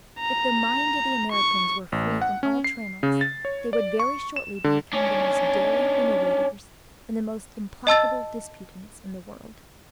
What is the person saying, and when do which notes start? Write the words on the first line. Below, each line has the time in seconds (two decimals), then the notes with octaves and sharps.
If the mind of the Americans were free from all trammels, they would very shortly become the most daring innovators and the most implacable disputants in the world.
0.20 A#5
1.32 C#6
1.92 A1
2.22 F#5
2.43 C#4
2.64 C7
3.03 C#3
3.21 A6
3.45 C#5
3.73 D5
3.99 C#6
4.36 E7
4.64 D3
4.93 C#4 D4
7.87 D#5 A5 E6 A6